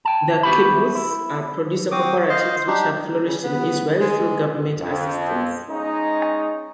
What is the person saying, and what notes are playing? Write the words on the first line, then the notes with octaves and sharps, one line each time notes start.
The kibbutz are producer cooperatives which have flourished in Israel through government assistance.
G5 A5
B3 F#4 G4 E5 B5
E4
C4 F#4 D6 D#6
C5 D#5 F5
D4 D#4 G4
C#3
B3
G#3
F2
G#3 C#4 D#4